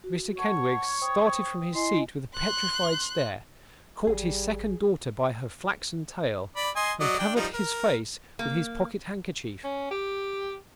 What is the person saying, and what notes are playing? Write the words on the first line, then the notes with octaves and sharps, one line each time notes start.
Mr Kenwigs started from his seat with a petrified stare, caught his second daughter by her flaxen tail, and covered his face with his pocket-handkerchief.
F#4
C#5 F#5 A5
C5 G5 D#6
E4 D#5 G#5 C6
C6 F#6
G#1 G3 G#4
D5 B5
D#5 G#5 C6
F#3 D5 D#5
D4 G5
F3 G3 D#4
A#4
A#3
C#4
G4